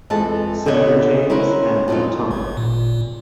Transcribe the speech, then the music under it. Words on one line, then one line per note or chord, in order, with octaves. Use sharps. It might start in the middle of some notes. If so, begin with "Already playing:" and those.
Senator James M. Tunnell.
F2 E3 G#3 A4 A5
A#2 D3 B3 G4 C#5 D#5
C#4 E4 F#4 A#4 C5
F2 A#2 F#3 D#4 F4
G#1
A#2